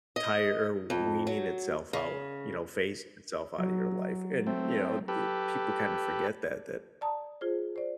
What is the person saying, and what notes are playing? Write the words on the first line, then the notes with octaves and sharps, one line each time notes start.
tire or weaning itself out, you know, phasing itself out of your life. And, you know, eh, people kinda forget that that
D#5
F2
F#3
C#3
F#3
A3 C4
G4 A4 B4
D5 A5 A#5 D#6
F4 G#4 C5
C5 D5